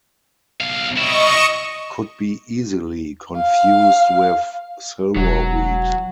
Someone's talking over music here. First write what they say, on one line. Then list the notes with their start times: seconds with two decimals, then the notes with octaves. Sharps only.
Could be easily confused with silverweed.
0.60 B1 F5
0.98 G3 E4 D#5 C#6
3.38 F5
5.16 E1 F#3